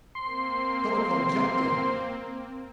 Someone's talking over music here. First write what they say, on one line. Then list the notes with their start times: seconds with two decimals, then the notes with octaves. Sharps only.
Dolokhov jumped down.
0.15 A#3 C4 C6